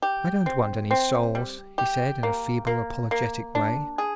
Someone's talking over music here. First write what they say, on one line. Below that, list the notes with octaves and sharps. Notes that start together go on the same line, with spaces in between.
"I don't want any souls!" he said in a feeble, apologetic way.
G4
C4
C4
G3
G4
A#3
A#3
A#3
D4
G#4